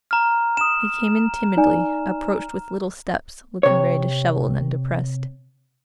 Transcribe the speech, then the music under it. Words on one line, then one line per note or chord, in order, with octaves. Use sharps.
He came in timidly, approached with little steps, looking very disheveled and depressed.
A#5 F6
A#5 D#6 E7
D#4 D5 G#5
C3 C#5